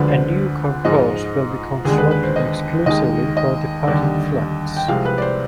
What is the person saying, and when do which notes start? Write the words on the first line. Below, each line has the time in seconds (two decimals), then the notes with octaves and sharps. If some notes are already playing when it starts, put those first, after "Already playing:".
A new concourse will be constructed exclusively for departing flights.
Already playing: D2 D3 F3 G#3 B4
0.08 C5
0.84 G#2 F3 G#3 D#5
1.85 D#2 D3 G#3 G#4
1.98 B4
2.11 B4
2.23 C5
2.36 D#5
2.86 D#2 D#3 G#3 D#5
3.37 D#5
3.87 D#2 D3 G3
4.76 G5
4.88 C2 C3 F3 G#3 F5
5.05 B4
5.18 D5
5.22 C5